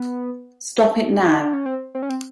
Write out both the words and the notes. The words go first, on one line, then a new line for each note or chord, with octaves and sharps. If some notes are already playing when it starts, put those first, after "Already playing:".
Stop it now.
Already playing: B3
D#4
D4
C#4
C4
C4
C#4
C4